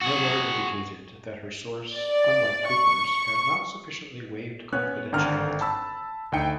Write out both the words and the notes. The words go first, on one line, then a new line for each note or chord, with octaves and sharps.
Miller indicated that her source, unlike Cooper's, had not sufficiently waived confidentiality.
F#4 G#4
D5
C#6
B3 C#4 C#5 F#6
G#1 D3 A4 G5 A#5 F6
A5 B5 E6
D2 D#4 G5 C#7